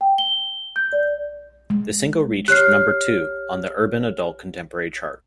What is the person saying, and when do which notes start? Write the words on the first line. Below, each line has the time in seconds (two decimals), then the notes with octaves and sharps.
The single reached number two on the Urban Adult Contemporary chart.
0.01 G5
0.18 G7
0.76 G6
0.93 D5
1.70 G#3
2.48 G4 C#5 F6 F#6 C7